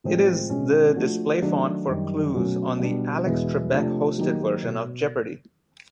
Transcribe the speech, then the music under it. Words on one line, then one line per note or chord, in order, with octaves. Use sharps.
It is the display font for clues on the Alex Trebek-hosted version of Jeopardy!
A2 F3 G#3 C4
B2 G#3 C#4
F3 A3 D4 F#4
D#3 F#3 A3 D4
F#2 D#3 G3
B2 F#3 A3 C#4 F#4
B2 G3 B3 D4
E2 B2 G#3 B3 E4
C3 F3 A3 D4
D#3 F#3 A#3 D#4 G4
B2